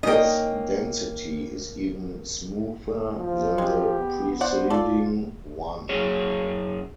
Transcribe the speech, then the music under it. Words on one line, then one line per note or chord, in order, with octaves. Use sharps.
This density is even smoother than the preceding one.
A#3 C#4 D#4 D#5 G5
F3
G#3 G4
B3
C5 D5 F#5
F4 A4 D5
F#2 G#4 C#5